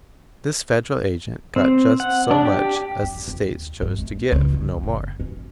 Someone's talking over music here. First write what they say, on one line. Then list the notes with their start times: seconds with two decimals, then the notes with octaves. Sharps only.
This Federal agent got just so much as the States chose to give--no more.
1.56 C4
2.00 F#5
2.31 D4
2.45 G4
3.04 F2
3.28 D#2
3.82 G2
3.98 A3
4.32 C#2
4.53 D3
4.83 F#1
5.20 C#4